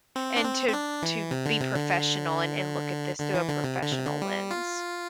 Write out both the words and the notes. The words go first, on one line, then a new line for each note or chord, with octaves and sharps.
and to to be professional and and look at this through a professional lens."
C4
D4
C4
C4
D4
E3
C3
D3
C3
D3
D3
E3
D3
C3
D3
C3
D3
G3
F4